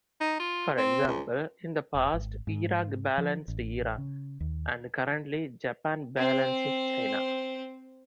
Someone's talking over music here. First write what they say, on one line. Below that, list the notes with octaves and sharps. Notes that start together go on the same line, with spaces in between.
For example, in the past, Iraq balanced Iran, and currently Japan balances China.
D#4
F4
C4
C#2
E1
G#1
G#2
F3
A1
C#3
D#2
C4 C5